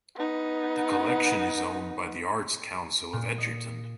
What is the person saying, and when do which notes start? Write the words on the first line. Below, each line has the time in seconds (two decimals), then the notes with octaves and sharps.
The collection is owned by the Arts Council of Edgerton.
0.16 B3 D#4
3.13 A#2
3.38 D#5